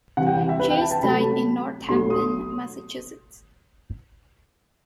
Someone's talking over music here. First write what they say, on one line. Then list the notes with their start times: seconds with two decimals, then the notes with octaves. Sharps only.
Chase died in Northampton, Massachusetts.
0.17 C3 E3 G3 F#5
0.27 G5
0.37 F#5
0.49 E5
0.60 B4
0.70 G5
0.81 A5
0.91 A5
1.02 C3 F#3 A3 B5
1.89 B2 F#3 A3 C6
2.10 D#6